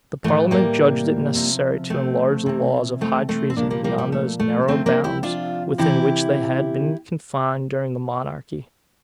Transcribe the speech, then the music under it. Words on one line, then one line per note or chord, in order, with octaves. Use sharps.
The parliament judged it necessary to enlarge the laws of high treason beyond those narrow bounds within which they had been confined during the monarchy.
A2 E3 A3
G3 A#3
C3 F3
A3 C4
C3 E3
A3 C4
A3 C4
C4
A#2 F3 A#3 D4
G3 A#3
G3 A#3
G3
A3
A3
C3 F3 A3 C4
A#3 D4
E4 G4
D4 F4
C3 E3 E4 G4